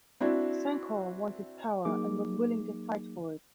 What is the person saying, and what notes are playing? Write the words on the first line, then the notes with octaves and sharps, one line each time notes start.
Sankoh wanted power, and was willing to fight for it.
C4 D4 E4 F#4
F#3 A#3 D#4 G#4 D6